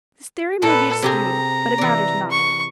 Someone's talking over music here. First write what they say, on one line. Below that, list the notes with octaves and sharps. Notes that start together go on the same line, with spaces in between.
This theory may be disputed, but it matters not.
A#2 A4 B4
C3 G4 G#4 A#5
E3 D5
C#6